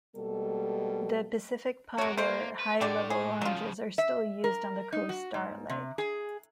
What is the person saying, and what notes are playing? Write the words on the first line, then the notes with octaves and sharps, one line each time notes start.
The "Pacific Parlour" Hi-Level lounges are still used on the "Coast Starlight".
B2 G3 G#3 A#3 A4
C3 F#4 A#4 C#5
A3 A#3 C5
B4
A2 D3 A3 G4 D5
G#4
C#3 F3 F#3 F4
E5
A#4
D#4
F#4
G#2
C3
G#4